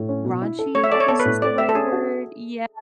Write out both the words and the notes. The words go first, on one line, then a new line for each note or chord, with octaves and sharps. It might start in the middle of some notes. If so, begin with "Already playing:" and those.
raunchy, I guess is the right word? Yeah,
Already playing: A2
C#4
B2
E4
A4
A3 C#5
E5
A4 D5
C#5
B3 A4
B4
A2
A3 D5
A3 E5
A4
C#4 G#4
F#4